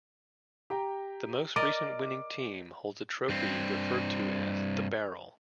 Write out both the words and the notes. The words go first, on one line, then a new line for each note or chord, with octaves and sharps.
The most recent winning team holds a trophy referred to as The Barrel.
G4 G5 A#5
A#4 D5 D#5 D6
G2 C4